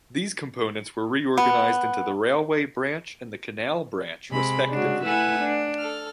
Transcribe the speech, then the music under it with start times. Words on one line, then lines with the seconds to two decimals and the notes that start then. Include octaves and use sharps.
These components were reorganized into the Railway Branch and the Canal Branch, respectively.
1.38 B3
4.30 C3 G#3 B5
4.69 C#3 G#3 D4 F#4
5.04 A3 E4 B4 E5 F#5 G#5
5.39 D4
5.78 A4 F6